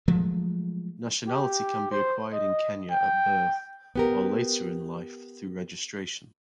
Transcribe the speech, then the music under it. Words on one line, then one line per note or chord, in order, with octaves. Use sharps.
Nationality can be acquired in Kenya at birth or later in life through registration.
F3 F#3 G#3 A3
G4
C5
D#5
G5
B3 G4 A#4